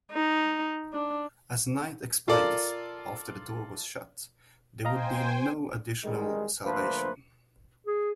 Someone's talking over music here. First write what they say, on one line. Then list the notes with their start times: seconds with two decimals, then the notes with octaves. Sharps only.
As Knight explains, After the door was shut, there would be no additional salvation.
0.12 D#4
0.93 D4
2.28 F4 A4 A#4 D5
4.85 C5 D#5 F5 G5 G#5 A#5
6.04 A1 D#3 G3 G#3
6.64 D3 F3 A3 A#3 B4 C5
7.86 G#4